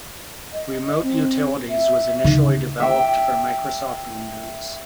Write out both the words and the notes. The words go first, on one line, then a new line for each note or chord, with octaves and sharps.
Remote Utilities was initially developed for Microsoft Windows.
D#5
C4
E5
C#3 D#4
E5 G5